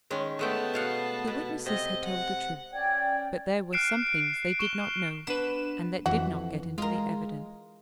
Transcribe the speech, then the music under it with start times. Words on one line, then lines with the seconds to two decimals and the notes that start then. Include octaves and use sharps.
The witnesses had told the truth, but there were some things they did not know and that did not get into the evidence.
0.10 D#3 G#3 C#4
0.39 G#3 A3 B3 G5 A5
0.74 B2 F5 F#5
1.27 B2
1.66 C3 D#5
2.05 F#5
2.72 C#4 D5 G5 G#6
3.73 F6 F#6 C7 D7 E7
4.59 C#6 E7 G7
5.27 B3 D4 B4 E7
6.06 F2 E3 F#4
6.78 G#3 F4 A#4